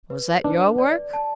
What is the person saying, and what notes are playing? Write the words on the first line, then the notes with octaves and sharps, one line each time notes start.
"Was that your work?"
B4
D4 B4
D5
A5